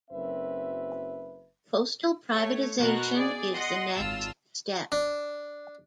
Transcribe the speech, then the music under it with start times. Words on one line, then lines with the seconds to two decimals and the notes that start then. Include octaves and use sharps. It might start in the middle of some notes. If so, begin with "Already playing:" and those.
Postal privatization is the next step.
0.10 F#1 F#2 C4 B4 E5
2.31 A3 C#5
2.78 B2 F#4 A#4 F#6
3.15 G#4 D5
3.53 D#5 F#5 C6
3.94 G#1 F4 A5 E6
4.92 D4